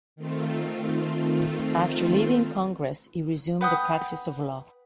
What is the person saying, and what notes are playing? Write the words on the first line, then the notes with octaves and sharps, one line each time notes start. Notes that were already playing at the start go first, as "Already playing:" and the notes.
After leaving Congress he resumed the practice of law.
D#3 A3 C4 F4
B4 F#5 G5 D#6